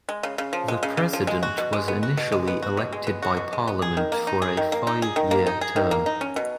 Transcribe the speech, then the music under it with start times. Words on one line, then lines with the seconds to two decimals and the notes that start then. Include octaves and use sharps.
The President was initially elected by Parliament for a five-year term.
0.09 G#3
0.23 C#3
0.38 C#3
0.53 F3
0.68 G#3
0.83 C#3
0.97 C#3
1.13 F3
1.27 G#3
1.43 F#4
1.58 B2
1.73 G#3
1.88 B3
2.03 F#4
2.17 B2
2.32 G#3
2.48 B3
2.62 F#4
2.77 B2
2.93 G#3
3.07 B3
3.22 F#4
3.37 B2
3.53 G#3
3.68 B3
3.82 G#4
3.97 D#3
4.12 A#3
4.27 D#4
4.42 G#4
4.57 D#3
4.72 A#3
4.87 D#4
5.02 G#4
5.16 D#3
5.31 A#3
5.47 D#4
5.61 G#4
5.76 D#3
5.91 A#3
6.06 D#4
6.21 C#4
6.36 B2